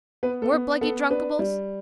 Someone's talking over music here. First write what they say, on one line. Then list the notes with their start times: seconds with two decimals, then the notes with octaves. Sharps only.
More bluggy drunkables?
0.23 B3 B4
0.42 A4
0.52 B3
0.81 B3 A4
1.10 D4 B4
1.39 G3